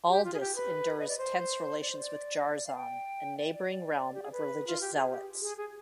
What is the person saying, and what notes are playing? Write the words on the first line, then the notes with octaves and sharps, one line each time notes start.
Aldis endures tense relations with Jarzon, a neighboring realm of religious zealots.
G4
F4
G#4
G4
B4
D#5
D5
C5
D5
C5
D5
F5
G5
D5
D5
D5
G4
G#4
B4
F4
G4
G#4
G4
G#4
G#4